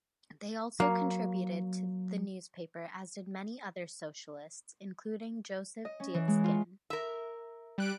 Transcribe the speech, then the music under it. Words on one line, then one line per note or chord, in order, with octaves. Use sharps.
They also contributed to the newspaper as did many other socialists including Joseph Dietzgen.
F#3 A#3
D#5
C#4
E3
G#3
F4
A#4 E5
G3 F#6 D7